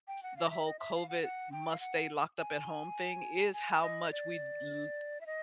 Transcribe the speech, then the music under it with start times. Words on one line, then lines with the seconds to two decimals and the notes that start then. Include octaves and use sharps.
the whole COVID must-stay-locked-up-at-home thing, is how much we'd l
0.08 G5
0.23 F#5
0.37 F5
0.45 D#5
0.50 E5
0.65 D#5
0.79 E5
0.95 F5
1.09 F#5
1.23 F#5
1.52 G5
1.72 F5
1.80 F#5
2.38 G#5
3.53 G#5
3.82 D#5
4.11 D5
5.21 E5
5.26 D#5